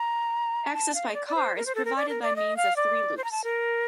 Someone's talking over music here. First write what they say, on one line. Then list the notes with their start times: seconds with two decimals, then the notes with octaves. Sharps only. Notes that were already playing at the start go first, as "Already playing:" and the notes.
Access by car is provided by means of three loops.
Already playing: A#5
0.74 A5
0.95 F5
1.08 D#5
1.14 D5
1.27 D5
1.35 C5
1.56 A#4
1.66 C5
1.75 A4
1.85 A#4
1.96 D5
2.09 A#4
2.22 D5
2.36 D#5
2.57 F5
2.76 D5
3.17 C5
3.24 A#5
3.31 A5
3.44 A#4